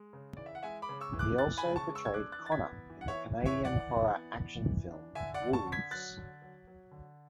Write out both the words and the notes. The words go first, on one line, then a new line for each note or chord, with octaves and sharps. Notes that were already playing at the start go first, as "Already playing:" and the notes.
He also portrayed Connor in the Canadian horror action film "Wolves".
Already playing: G#3
C#3
E3 D5
E5
F#5
G#3 E5 G#5
B5 D6
C#3
C#6 E6
E3
D6 F#6
E3 F#6 A6
G#5 B5
C#3
A5 C#6
G#3
C#6 E6
G#6
D4 D6 F#6
F#6 A6
E3
A6
G#6 B6
B3
E3
F#5
C#5 E5
E3
E3
C#5 E5
E3 D5 F#5
E3
B3
E3
E3
D4
D3 E5 G#5
D5 F#5
D3
A5 C#6
D3
G#6 B6
F#3 F#6 A6
D3
F#3
F#3
D3